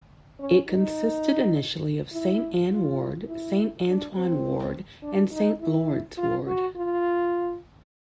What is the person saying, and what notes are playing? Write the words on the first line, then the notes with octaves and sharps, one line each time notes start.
It consisted initially of Saint Anne Ward, Saint Antoine Ward and Saint Lawrence Ward.
C#4
D#4
E4
F4
E4
D4
C4
D4
D#4
E4
F4
F#4
F4